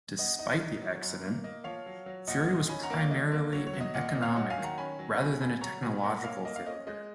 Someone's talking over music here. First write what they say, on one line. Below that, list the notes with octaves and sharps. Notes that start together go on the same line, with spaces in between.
Despite the accident, Fury was primarily an economic rather than a technological failure.
B3 D#5
D#4 D#5
D#4
F#3
F#2
A#3
A#3 D#5
F3 C#5 F5
F#3
F#3
A#2 D#5 F#5
D#4
C#4 G#5 B5
F#5 A#5
A#3
C#5 F5
F#3 D#5
A#3
F#3 C#5
C#5
F#3
D#5
A#2 D#5 F#5
D#5
A#2
C#5 F5
F#3 D#5 F#5
F5 G#5
D#3
F#5 A#5
C#4 G#5 B5
F#3
B2 G#5 B5
B2 G#5 B5
F#3 A#5 C#6
B2 G#5 B5
A#3 F#5 A#5
A#3 C#5 F5
A#3 D#5
F5
C#4 D#5
G#3 D#5